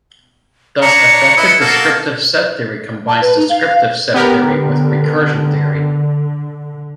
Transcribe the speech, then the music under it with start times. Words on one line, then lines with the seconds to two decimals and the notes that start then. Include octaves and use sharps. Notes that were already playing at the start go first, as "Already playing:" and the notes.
Thus effective descriptive set theory combines descriptive set theory with recursion theory.
0.82 D4 C#5 A#5 C#7
1.37 E4 B4 D#5
1.60 A#3 F#4 A4 F6
3.07 A5
3.21 B4
3.37 D#4
3.49 F5
4.14 D3 B3 G4 A#4